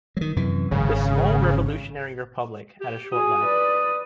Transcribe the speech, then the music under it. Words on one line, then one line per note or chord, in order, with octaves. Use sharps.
The small revolutionary republic had a short life.
D#3 F#3
F#2 C3 E3
G#1 C#3
G4
F#4 G#4 D#6
B4 D5